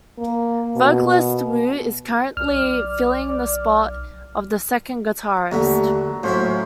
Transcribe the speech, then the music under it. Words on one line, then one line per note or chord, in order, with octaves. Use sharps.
Vocalist Wu is currently filling the spot of the second guitarist.
A#3
B2
B1 D5 F6
D#2 D3 F#3 A3
A2 F3 F#3 C#4 E4 C5